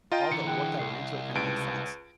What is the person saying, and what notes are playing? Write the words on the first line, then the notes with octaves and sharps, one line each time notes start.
all the work that went into it kinda makes sense.
F4 D#5 G5 A#5
D3 E3 C#7
G#4 G5 F#6
C2 C7
C#2 B4 A5 D7